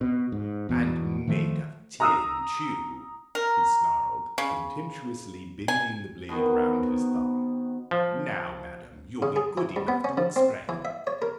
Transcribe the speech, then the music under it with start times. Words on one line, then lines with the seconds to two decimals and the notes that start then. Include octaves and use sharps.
And made of tin, too!" he snarled, contemptuously bending the blade round his thumb. "Now, Madam, you'll be good enough to explain.
0.01 B2
0.32 G#2
0.69 E2 B2
1.27 D#3 F3 A3
2.00 A#5 D#6 E6
3.35 A#4
4.38 C#3
5.68 G#5
6.29 B2 D#3 B3 C4
7.91 F3
9.22 C#3
9.36 G#4
9.58 E3
9.76 G2
9.88 B3
10.04 C#4
10.17 F3
10.36 C4
10.69 E3
10.85 E5
11.07 C#5
11.22 A#4